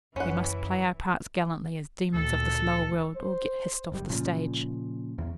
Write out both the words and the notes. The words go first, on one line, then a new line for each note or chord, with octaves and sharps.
We must play our parts gallantly, as demons of this lower world, or get hissed off the stage.'
F#1 E3 C#4 F#5
D2 A#2 A4
C5
F#1 G3
A#2 C#3 F3
E2